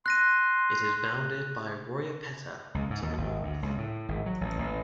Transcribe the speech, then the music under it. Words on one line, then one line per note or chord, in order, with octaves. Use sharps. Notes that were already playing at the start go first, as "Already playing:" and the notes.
It is bounded by Royapettah to the north.
C6 F#6 A#6 D#7
C#2
G#2
D#2
G#1
D2
C#2
A2
G#1
F#3
A1
A1